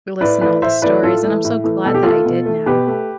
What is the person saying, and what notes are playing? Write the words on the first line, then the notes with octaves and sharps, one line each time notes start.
listen to all the stories, and I'm so glad that I did now.
A2 B4 D5
E3 A3 B4 D5
A2 C5 E5
E3 A3 B4 D5
A2 F4 A4
E3 A3
A2
E3 A3
B2 A4
G4
A3 F4 A4
B2
A3
B2 G4 B4
A3